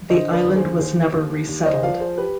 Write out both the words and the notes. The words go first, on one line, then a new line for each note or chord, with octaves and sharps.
The island was never resettled.
D3 C5 D#5
B4 D5
D#2
G#4 C5
D#2 G#4 C5
D#2
D#2
C5 D#5
F3 D5 F5
G#4 C5
G4 B4